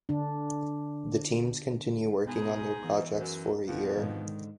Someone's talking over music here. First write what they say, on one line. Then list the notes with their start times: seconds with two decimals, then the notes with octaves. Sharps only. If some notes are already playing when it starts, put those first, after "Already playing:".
The teams continue working on their projects for a year.
0.09 D3 D4
2.27 B2 G#3 B3 D#4 G#4
2.84 E3 F#4
3.16 F#2
3.68 B1 F2 B2
3.97 G#2 D3 D#3 G#3